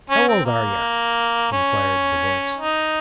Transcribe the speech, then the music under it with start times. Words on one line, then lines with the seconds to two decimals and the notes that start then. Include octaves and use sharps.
'How old are yer?' inquired the voice.
0.10 C#4
0.28 C4
0.45 A#3
1.52 C#4
2.58 D#4